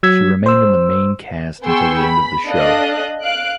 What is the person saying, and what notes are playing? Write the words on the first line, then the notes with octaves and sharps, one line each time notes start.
She remained in the main cast until the end of the show.
F#3 E6 G#6 B6
C5 E6
B3 G#4 G5 C6 C#6 E6
B5
D4 A4 D#5 F5 D#6 F#6
F5 F#6 D7